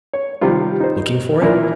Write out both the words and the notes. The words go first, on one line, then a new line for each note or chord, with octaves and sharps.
"Looking for it?"
C#5
C3 D#3 F3 G3 F4
D#4 C5
A#2 E3 D4 E4 F4 A#4